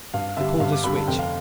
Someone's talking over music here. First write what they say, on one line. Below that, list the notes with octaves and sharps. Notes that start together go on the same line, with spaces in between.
I pulled a switch.
G2 F5
D3 G3 E5
G2 F5
D6
D3 G3 B5
A5
F1 G5
F5